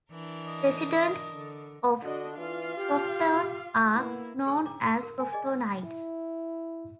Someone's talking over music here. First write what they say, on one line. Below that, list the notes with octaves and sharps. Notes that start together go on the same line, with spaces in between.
Residents of Crofton are known as Croftonites.
E3 D4 A#4
D#5
D3
D3 D4 F#4 D#5
E3 F4 F5
G4
A#3 B3 E4
G#4 C#5 E6
C#4 D4 E4 D6
F#4 A4 B5 D#6
A#4
G#5
G#4 D5 D#5 G#5
E4